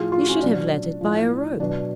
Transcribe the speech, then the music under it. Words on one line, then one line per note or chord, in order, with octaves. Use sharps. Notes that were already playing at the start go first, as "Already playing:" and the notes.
You should have led it by a rope.'
Already playing: A2 F3 F4 G#4
F4
F#4
C#4 F4
B2 F#3 D4
A2 F3
B2 F#3 D4